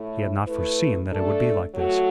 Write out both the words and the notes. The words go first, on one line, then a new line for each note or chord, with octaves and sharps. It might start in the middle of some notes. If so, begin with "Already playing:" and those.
He had not foreseen that it would be like this.
Already playing: A2 A3 E4
A3 E4 B4
A3 D4 A4
F#3 A3 F#4 A4